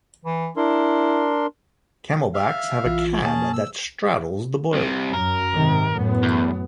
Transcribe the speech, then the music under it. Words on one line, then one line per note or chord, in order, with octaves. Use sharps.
Camelbacks have a cab that straddles the boiler.
E3
D4 E4 A#4 C6
E5 F5
A#1 E3 F4
B2 A#3 C#4 G#4 A5
E6
C2 C3
F#2 A#4
G#2 C3 D#3
F#2 A2 B3
E2